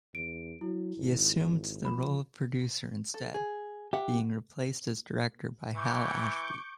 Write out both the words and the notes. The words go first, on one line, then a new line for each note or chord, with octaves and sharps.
He assumed the role of producer instead, being replaced as director by Hal Ashby.
E2 D7
F#3 E4
G#1
F3 B5
A4
G#4
G4 E5 F#5
E3 C#6 D6 G6